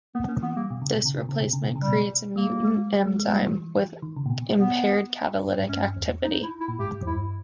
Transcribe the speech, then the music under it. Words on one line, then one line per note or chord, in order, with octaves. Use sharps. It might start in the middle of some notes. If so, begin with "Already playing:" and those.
This replacement creates a mutant enzyme with impaired catalytic activity.
A#3 B3
A#3 C#4
E3 B3
G3 A#3
B2
C#3
B2
C#3
B2
C#3
B2
C#3
B2
C#3 G3
B2
G3 A#3
G#3
G#3
G#3
G3
E3
D#3
C#3
A#2
B2
B3
G#2
G2 C#4
E2
D#4
E4
E4
A#2
G#2 G4
E2
G2 E4